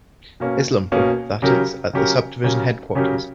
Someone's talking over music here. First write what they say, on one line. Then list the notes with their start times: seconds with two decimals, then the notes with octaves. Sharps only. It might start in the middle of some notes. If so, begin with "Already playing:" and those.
Islampur, that is, at the Subdivision Headquarters.
0.40 B2 A#3 C#4
0.92 B2 A#3 C#4
1.42 C#3 F#3 C#4 G4 A#4
1.93 C#3 F#3 C#4 G4 A#4
2.44 C#3 F#3 C#4 G4 A#4
2.95 C#3 F#3 C#4 G4 A#4